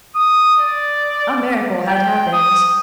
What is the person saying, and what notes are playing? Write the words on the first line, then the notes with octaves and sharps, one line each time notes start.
A miracle had happened.
D#6
D5
G5
D#6